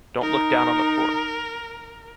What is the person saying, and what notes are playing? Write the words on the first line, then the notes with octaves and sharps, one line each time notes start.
Don’t look down on the poor.
D#4 A#4